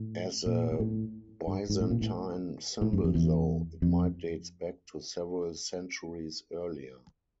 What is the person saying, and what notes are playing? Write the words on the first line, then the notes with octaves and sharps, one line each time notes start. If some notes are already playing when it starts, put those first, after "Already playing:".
As a Byzantine symbol though, it might dates back to several centuries earlier.
Already playing: A2
A#2
A#2
A2
G2
G#2
A2
A#2
A2
A2
F#2
F2
E2
F2